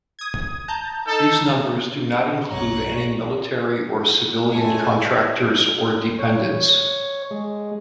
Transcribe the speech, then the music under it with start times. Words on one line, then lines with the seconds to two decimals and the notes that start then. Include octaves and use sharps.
These numbers do not include any military or civilian contractors or dependents.
0.19 D#6 G#6
0.68 A5 A#5 G6
1.06 D#4 A4
2.50 B1 G2 F#3 C#5 A#5 C#6 F#6
4.50 F#2 G#3 A3 F4 G#5 A5
6.19 C#5
7.31 G#3